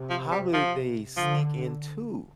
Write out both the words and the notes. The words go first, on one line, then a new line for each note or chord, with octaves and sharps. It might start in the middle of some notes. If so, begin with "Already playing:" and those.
how do they sneak into
Already playing: C3
F3
G3
F3
D3 F3